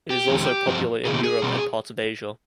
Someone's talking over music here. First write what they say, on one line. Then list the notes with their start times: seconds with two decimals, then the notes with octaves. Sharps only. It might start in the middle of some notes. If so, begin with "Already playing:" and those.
It is also popular in Europe and parts of Asia.
0.10 G4
0.28 F2 D#3 G#3 C4
0.67 G2 F3 C4
1.05 C3 D#3 B3 G#4
1.15 G4
1.23 G#4
1.42 B2 G3 C4